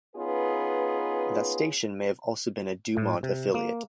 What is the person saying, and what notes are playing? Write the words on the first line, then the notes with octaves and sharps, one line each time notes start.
That station may have also been a DuMont affiliate.
B3 C#4 D#4 F4 G#4 B4
A2
C3
A#3